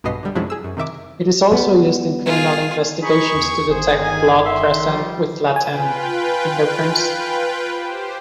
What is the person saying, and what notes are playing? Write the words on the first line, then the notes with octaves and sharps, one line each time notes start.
It is also used in criminal investigations to detect blood present with latent fingerprints.
B1 G2 B2 B3 D#5 C7
D3 G3
F#2 C3 F3 G#3 D4 E4
G#4 E6
F#2
C3 D#3 E5 D6
G3 B3
F4 G#4
D#4 G#4 B5 C#6
E2
G1 D#3 G#4 C5
G#5
E5 C6
F3 G3
F4 B4 G5 G#5
G4 C5